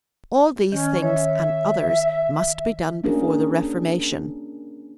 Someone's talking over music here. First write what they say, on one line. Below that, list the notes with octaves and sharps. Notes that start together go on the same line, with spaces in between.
All these things--and others--must be done before the reformation.
D#3 C#4
C#5 E5
A#3 C#4 D4 F#4 G#4 A#4